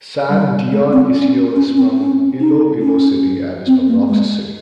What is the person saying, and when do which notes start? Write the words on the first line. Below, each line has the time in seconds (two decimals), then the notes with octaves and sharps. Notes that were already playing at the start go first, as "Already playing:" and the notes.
San Dionisio is from Iloilo City and is from Roxas City.
0.30 G3
0.72 G#3
0.93 C4
1.14 C#4
1.56 C#4
1.77 C4
1.98 C#4
2.41 D#4
2.82 C#4
3.67 C4
3.88 A#3
4.09 G#3